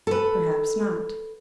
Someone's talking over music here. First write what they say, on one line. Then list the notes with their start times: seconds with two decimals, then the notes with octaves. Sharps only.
"Perhaps not."
0.07 A4 B4